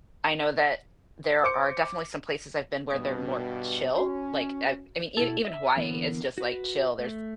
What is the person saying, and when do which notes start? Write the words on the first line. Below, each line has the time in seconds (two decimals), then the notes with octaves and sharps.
I know that there are definitely some places I've been where they're more chill, like uh, I mean, even Hawaii, it's just, like, chill, there's
1.43 C5 D6 C#7
2.90 G2 B2 D#6
3.95 C#4 F#4 C#5
5.17 B2 E4 A4
5.45 D#5 E5
5.76 D3 E3 A#3 B3 A#4
6.38 F#4 B4
6.99 A3